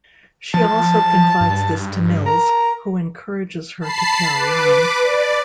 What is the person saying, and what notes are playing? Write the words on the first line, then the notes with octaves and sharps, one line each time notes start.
She also confides this to Mills, who encourages her to carry on.
F3 A5
G2
A#4
A5 B5 C7
B4 D6
D5